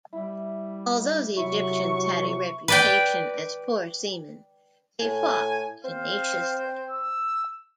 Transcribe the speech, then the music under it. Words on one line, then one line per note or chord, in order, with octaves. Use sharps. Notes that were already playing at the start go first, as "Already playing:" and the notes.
Although the Egyptians had a reputation as poor seamen, they fought tenaciously.
G3 E4
C3 F#3 E4 C#6
B4 D5 G5
A2 G#5
C4 F5
E6